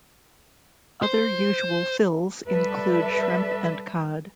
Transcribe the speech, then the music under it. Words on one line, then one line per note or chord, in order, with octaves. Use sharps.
Other usual fills include shrimp and cod.
C5
G3 A4 B4 D5 E5